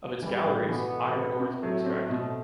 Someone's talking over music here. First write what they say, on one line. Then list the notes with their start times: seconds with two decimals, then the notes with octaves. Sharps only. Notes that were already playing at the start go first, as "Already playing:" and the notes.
Of its galleries, iron ores were extracted.
0.22 G2 E3 G3
0.46 A2
0.68 B2 E3 B3
0.92 A2
1.16 C4
1.40 C3
1.62 A2 F#3 A3
1.86 C4
2.09 B2